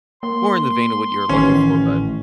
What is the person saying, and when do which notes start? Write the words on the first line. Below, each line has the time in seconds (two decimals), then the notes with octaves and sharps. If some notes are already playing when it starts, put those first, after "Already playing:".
more in the vein of what you're looking for, but,
0.23 A#3 C6
1.29 A1 D#3 C#4